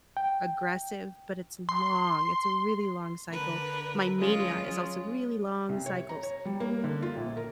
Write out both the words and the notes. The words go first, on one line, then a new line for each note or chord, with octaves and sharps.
aggressive, but it's long it's a really long cycle, my mania is also really long cycles,
G5
C6
D3 A#4 B4
F#3 G#3 C#4 F4
C2
C#5
A#5
C#5
G3
A#3
D3
F4
A#1
A#4